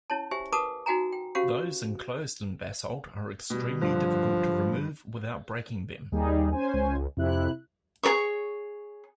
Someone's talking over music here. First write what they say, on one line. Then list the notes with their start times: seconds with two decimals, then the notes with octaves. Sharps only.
Those enclosed in basalt are extremely difficult to remove without breaking them.
0.10 C#4 E4 C#5 A5
0.31 G4 C5 E5 G#5
0.53 A#4 B4 F#5 A5 D6 D#6
0.86 D#4 F#4 F#5 G#5 A#5
1.12 G5
1.35 C#4 F#4 G4 C5 F5 F#5
3.50 B2 G3
3.82 G2 D3 F3
6.12 D#2 G3 D#4 G#4
6.52 C#4 C5 G#5
6.74 C#2
7.17 F2 C3 E4 F#6
8.03 G#4 A#4 C#5 C#6